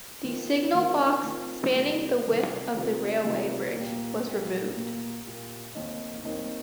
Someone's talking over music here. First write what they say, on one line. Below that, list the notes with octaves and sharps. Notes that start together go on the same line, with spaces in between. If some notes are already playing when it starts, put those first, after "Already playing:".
The signal box spanning the width of the railway bridge was removed.
D#3 C4 F4
D#3 C4 F4
D#3 C4 F4
C3 D#3 G3 C4 F4
C3 D#3 G3 C4 F4
C3 D#3 G3 C4 F4
C3 D#3 G3 C4 F4
A#2 A#3 G4
A#2 A#3 G4
A#2 A#3 G4
A#2 A#3 G4
D#2 D#3 C4 D#4
D#2 D#3 C4 D#4